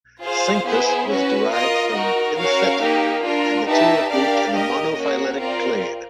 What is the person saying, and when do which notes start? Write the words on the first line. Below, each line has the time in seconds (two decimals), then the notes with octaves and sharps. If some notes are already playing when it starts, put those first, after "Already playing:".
"Cenchrus" was derived from "Pennisetum" and the two are grouped in a monophyletic clade.
0.23 F4 G#4 C5 F5
0.65 B3 E4 G#4 C5
1.08 C#4 F#4 B4
1.52 F4 A#4 D#5
1.94 D#4 F#4 A#4
2.38 C#4 F#4 A#4 C#5 F5
2.81 A#3 D#4 G4 A#4
3.23 D4 F4 A#4
3.67 D#4 G4 B4 E5 A5
4.09 D4 G4 A#4 D5 F5
4.53 G4 A#4 D#5
4.96 A#3 C#4 F#4
5.39 C4 F4 A#4 D5